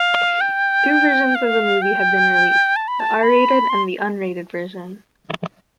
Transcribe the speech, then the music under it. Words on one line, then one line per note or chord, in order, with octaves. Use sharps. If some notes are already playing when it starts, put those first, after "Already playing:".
Two versions of the movie have been released: the R-Rated and the Unrated Version.
Already playing: F5
G5
F5
G5
A5
B5
A5
B5
C6